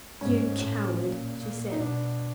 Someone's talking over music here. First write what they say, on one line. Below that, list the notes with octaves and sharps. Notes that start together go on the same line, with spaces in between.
"You coward!" she said.
G#2 C#4
A2
A#2
A#2
D#4
B2 D4